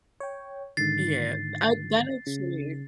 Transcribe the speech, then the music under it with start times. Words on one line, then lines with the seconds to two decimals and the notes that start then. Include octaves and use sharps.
Yeah, I that actually,
0.20 C#5 G5
0.77 G#2 D3 D#3 A6 C7
2.27 C#3